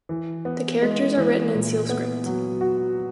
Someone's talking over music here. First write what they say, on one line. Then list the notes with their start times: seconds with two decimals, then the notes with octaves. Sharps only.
The characters are written in seal script.
0.09 E3
0.45 B3
0.82 G#3
1.17 E3
1.54 A#2
1.89 B3
2.26 F#3
2.61 F#4